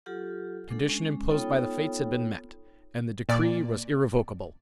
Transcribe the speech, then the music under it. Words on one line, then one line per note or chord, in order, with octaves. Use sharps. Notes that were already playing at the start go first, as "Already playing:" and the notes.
The condition imposed by the Fates had been met, and the decree was irrevocable.
F#3 F4 G4 A4 F#5
G#3 D4 A4
G#3 C#4
B3 D#4 F4 A4 C#5 G5
A#2 D5